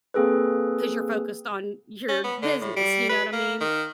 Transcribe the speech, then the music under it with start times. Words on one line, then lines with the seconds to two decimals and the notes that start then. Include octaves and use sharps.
'cause you're focused on your business, you know what I mean?
0.14 A#3 C4 G#4 A4 B4
2.08 C#4
2.24 B3
2.42 D3
2.61 A2
2.76 G3
3.09 B4
3.33 A#3
3.61 D#3